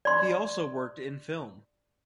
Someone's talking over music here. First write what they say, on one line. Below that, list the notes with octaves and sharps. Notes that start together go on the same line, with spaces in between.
He also worked in film.
D5 C6